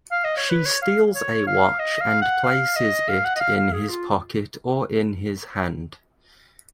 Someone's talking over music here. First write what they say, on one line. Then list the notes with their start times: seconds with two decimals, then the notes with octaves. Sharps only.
She steals a watch and places it in his pocket or in his hand.
0.12 F5
0.24 D#5
0.37 C#5
0.50 B4
0.66 C#5
0.82 F5
1.15 C#5
1.47 F5
1.79 D#5
2.01 F5
2.22 F#5
2.44 F5
2.76 D#5
3.09 F5
3.25 F#5
3.36 D#5
3.40 F5
3.57 F5
3.73 G#4
3.89 F4